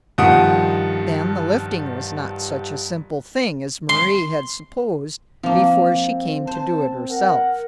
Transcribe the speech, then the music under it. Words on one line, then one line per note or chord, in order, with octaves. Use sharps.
Then the lifting was not such a simple thing as Mari had supposed before she came to do it herself.
G2 D#3 F3 F#5 D#6 D7
C6
F3 A#3 C4
C5 A5
A#4 F#5